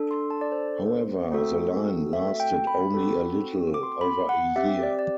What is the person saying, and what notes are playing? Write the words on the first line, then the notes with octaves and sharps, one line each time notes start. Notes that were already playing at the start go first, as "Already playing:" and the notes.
However, the line lasted only a little over a year.
Already playing: D4 A4
C6
A5
D5
C5
A3 C4 F#4 A4
E5
G5
B5
C4 F#4 A4
D6
C6
D6
B5
F#5
C4 G4 E5
D5
D5